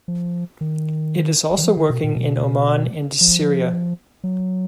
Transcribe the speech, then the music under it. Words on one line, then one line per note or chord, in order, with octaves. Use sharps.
It is also working n Oman and Syria.
F3
D#3
D#3
F3
D#3
B2
A#2
B2
F3
F#3